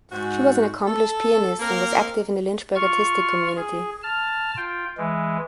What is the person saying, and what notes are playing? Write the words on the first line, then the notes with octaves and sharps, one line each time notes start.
She was an accomplished pianist and was active in the Lynchburg artistic community.
G#2 F#4
A4
A#3 C4 A#4
F4 C#6 F6
G#4
A5 F6
F4 G5
E3 G#3